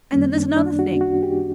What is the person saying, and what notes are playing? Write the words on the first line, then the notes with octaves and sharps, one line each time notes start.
And then there's another thing.
F#2 D#3 G3 A#3 C#4
D4
D4
F#4
F#4
G4